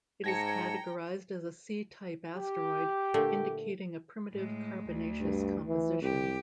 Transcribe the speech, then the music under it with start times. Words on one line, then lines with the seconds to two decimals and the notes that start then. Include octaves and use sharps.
It is categorized as a C-type asteroid, indicating a primitive carbonaceous composition.
0.24 G#2 G5 A5 A#5 G#6 A#6 C#7
2.36 G4
3.14 A#2 D3 A3
4.32 A2 G#3
4.87 D2
5.20 G2
5.67 E3
6.02 C2 G4